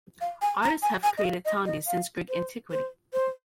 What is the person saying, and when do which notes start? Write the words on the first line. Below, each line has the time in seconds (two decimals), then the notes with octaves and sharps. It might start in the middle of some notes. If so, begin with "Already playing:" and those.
Artists have created tondi since Greek antiquity.
0.21 F5
0.42 G#5
0.63 A#5
0.82 G#5
1.03 G#5
1.18 D#5
1.24 F5
1.45 D#5
1.66 D#5
1.87 F5
2.29 C5
2.71 C5
3.13 C5